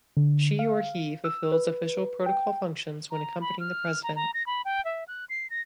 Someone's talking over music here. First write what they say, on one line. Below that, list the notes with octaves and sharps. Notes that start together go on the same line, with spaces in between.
She or he fulfills official protocol functions when accompanying the president.
D3
F5
E6
B4
G5
A#5
B5
F6
A#5
A#5
A#6
B5
G5
E5
F#6
C7
A#6